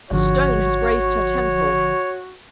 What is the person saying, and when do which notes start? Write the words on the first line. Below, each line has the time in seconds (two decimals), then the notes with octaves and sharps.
A stone has grazed her temple.
0.11 G#1 D3 F3 F#4 C#5